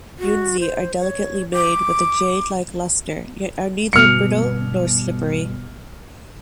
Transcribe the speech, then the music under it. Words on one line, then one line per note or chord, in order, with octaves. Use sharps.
Yunzi are delicately made with a jade-like luster yet are neither brittle nor slippery.
F#4
C5
C#5
D6
G1 B2 F6 C#7